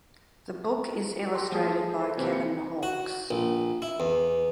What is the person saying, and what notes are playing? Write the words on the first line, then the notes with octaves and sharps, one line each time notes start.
The book is illustrated by Kevin Hawkes.
F#4 G4 G5 C6
F3 G#3 A3 G#4 A4
A4 C5
C3 E3 G3 A#3 C4 G4
C#7
F#4
A#1
E4
E2